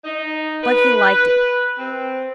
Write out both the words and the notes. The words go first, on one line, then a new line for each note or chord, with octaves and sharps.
But he liked it.
D#4
B4
C4